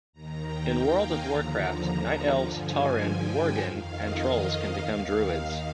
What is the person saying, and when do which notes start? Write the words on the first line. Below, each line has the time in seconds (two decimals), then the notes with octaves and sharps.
In "World of Warcraft", Night Elves, Tauren, Worgen, and Trolls can become druids.
0.13 D#2 D#3 A#5
0.42 G5
0.70 F5
1.00 G#5
1.29 D#2 D3 F3 A#5
2.45 G2 D3 F3 G#5
3.03 G5
3.61 F2 D#3 F5
3.91 D#5
4.20 D#5
4.49 D#5
4.77 D#2 D#3 F5